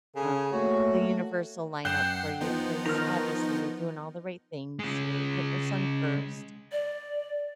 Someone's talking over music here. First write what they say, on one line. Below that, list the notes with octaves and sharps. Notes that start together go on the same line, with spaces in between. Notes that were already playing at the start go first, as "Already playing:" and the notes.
Um, the universe'll lineup for you, because, obviously, you're doing all the right things, you're putting your son first,
C#3 A4 G#5
A3 A#3 F#4 C#5
F#2 F#5 G5 F#6 C7 E7
F3 B3 D#4
D#3 A#5 F6
C#3 G#3
D5